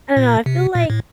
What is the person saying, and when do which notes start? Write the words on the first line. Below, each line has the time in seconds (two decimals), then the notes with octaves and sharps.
I don't know, I feel like,
0.17 A#2
0.46 C3
0.75 A#2
0.90 A2